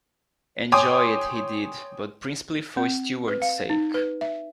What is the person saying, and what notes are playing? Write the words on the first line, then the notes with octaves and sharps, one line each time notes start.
Enjoy it he did, but principally for Steward's sake.
C#5 G5 G#5 C6 D6 D#6
C4
B4
F5
D#4
B4
E5